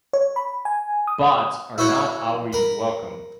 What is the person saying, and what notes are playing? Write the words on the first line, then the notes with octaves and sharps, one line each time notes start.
Bots are not always welcome.
C#5
B5
G#5
D#6
E4 F#4 C5 C#5
A#4 B5